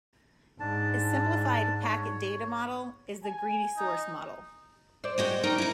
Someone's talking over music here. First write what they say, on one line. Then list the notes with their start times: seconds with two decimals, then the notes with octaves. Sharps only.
A simplified packet data model is the greedy source model.
0.60 G#2 D4 A5
1.83 C#5
3.23 G#5
3.77 D#4
5.04 C5 D5
5.18 G#3 F#4 G4
5.43 D#4 A#4 G5
5.58 D#4 E4